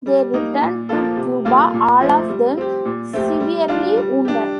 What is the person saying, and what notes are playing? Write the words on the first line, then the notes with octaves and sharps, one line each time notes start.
They returned to Cuba, all of them severely wounded.
G3
A#3 D#4
A#2
F3 A#3 F4 A4
C3
G3 A#3 F4 A4
A#2
F3 A3 C4
G3
C4 G4
A#2
A3 C4 G4
G3
D4 F4
G3
D4 G4